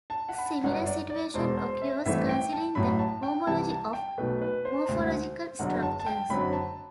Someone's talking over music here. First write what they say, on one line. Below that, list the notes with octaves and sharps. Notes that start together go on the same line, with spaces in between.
A similar situation occurs considering the homology of morphological structures.
A5
F#5
B5
A5
G1 F#2 F#3 F#5
D5
D5
E1 E2 B2 C5
C5
E5
A1 G2 E3 A3 C4 E5
G5
A5
A1 A2 F#3 B5
A5
G5
C2 C3 E3 A5
A5
G5
B1 B2 A3 B4
B4
C5
E1 D2 D3
F#1 E2 D3 F#3 F#5
A5
A5
G5
F#1 F#2 D3 F#3 C4 B5
A5